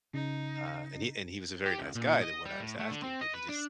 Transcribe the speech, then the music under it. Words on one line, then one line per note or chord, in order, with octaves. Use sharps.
uh, and he and he was a very nice guy, the one I was asking, but he just
C#3 D#4
G4
C#2
A#2
D#5
G3
A2
A3
D3
C4
D#5
B4
D4